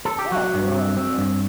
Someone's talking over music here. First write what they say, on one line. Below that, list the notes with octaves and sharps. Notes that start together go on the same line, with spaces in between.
Yeah, there are, there are.
A4
G4
F#3 F#4
G2
C4
C4
G2